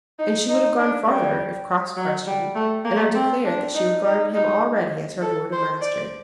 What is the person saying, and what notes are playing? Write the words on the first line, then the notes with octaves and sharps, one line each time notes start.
And she would have gone farther if cross-questioned, and have declared that she regarded him already as her lord and master.
D#4
D#4
D4
G3
F#3
G3
A3
A#3
C4
D4
D#4
D#4
D#4
A4
C5
D5